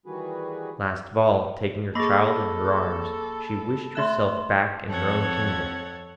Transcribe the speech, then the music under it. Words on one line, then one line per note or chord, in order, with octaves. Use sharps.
Last of all, taking her child in her arms, she wished herself back in her own kingdom.
D#3 E3 G3 F#4 G#4 B4
A#3 G#4 A4 B5 C#6 D6 A#6
A3 E5 C6 F#6 E7
F2 A4 C#5 F#5 G#6